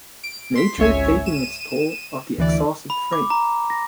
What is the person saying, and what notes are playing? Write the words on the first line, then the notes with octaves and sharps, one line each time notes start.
Nature taking its toll of the exhausted frame.
D7
C6 B6
G#1 C#2 C#5 E5 G#5
D#7 E7
D2 E3 D5
B5
D6
A#5
A#6